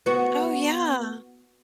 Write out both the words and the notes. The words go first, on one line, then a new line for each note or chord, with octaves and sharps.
Oh, yeah.
B3 F#4